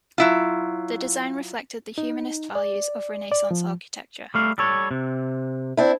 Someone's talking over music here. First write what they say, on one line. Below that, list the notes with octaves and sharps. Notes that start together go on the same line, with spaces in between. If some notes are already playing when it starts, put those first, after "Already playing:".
The design reflected the humanist values of Renaissance architecture.
F#3 E4 F4
D#4
D5
D5
F3
G3 A3 F5
G3 A4 C#5
C3
C4 D4 E4